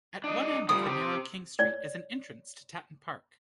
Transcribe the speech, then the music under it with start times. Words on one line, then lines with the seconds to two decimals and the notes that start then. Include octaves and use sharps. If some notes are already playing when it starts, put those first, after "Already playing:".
At one end of the narrow King Street is an entrance to Tatton Park.
0.24 D4 D#5
0.69 D3 F3 G3 D#6
0.87 C4 G4
1.59 C#5 D5